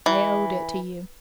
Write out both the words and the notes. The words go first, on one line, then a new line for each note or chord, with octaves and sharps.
"I owed it to you."
E3